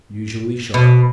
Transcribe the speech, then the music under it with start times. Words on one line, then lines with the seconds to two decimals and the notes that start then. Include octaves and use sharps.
Usually sharp.
0.74 B2